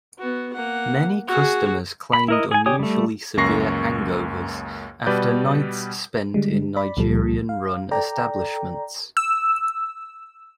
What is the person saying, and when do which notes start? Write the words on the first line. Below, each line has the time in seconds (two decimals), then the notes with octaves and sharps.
Many customers claimed unusually severe hangovers after nights spent in Nigerian-run establishments.
0.18 B3 F#4
0.53 A#3 F#5
1.28 F#4 G#4
2.13 B5
2.28 E4 A#4 D#5
2.51 G#4 G#5
2.66 D3 G4 C#5 G#5 D#6
2.79 G3 A3
3.37 C#2 F#2 A#3 C#6 A#6 C7
5.06 B2 G3 B4 D5 G6
6.34 D3 G3 G#3
6.76 D5 B5
6.97 C#2 A#2 F3 G3 A4
7.49 F5
7.91 A4 D5 G5 A#5
9.17 E6